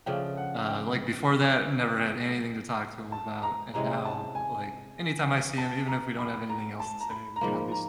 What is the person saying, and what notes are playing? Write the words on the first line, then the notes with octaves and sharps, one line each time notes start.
uh, like before that, never had anything to talk to him about, and now, like, anytime I see him, even if we don't have anything else to say, we can at least
C#3 F3 A3 D4 G5
F#5
G5
A5
A#5
C3 E3 G#3 C#4 A#5
A5
G#5
A5
A#5
B5
A#5
A5
A#5
B5
A#5
G#2 F3 A#3 B5
A#5